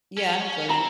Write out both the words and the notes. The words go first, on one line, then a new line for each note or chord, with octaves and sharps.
Yeah, I don't blame him.
C#4
C4 A#5